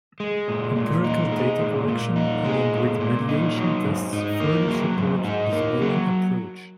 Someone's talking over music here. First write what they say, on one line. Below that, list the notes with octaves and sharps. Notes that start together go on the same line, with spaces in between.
Empirical data collection along with mediation tests further support this modeling approach.
G#3
A#2
A#2
D#4
G#3
A#2
A#2
D#4
G#3
A#2
A#2
D#4
F#3
G#2
D#4
A#3
F#3
G#2
D#4
A#3
F#3